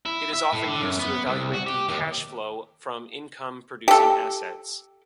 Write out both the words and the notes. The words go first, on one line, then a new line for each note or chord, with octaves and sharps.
It is often used to evaluate the cash flow from income-producing assets.
E4
E5
A2
D3
F#2
B3
C2
F#4
G4
D#2
G4 A4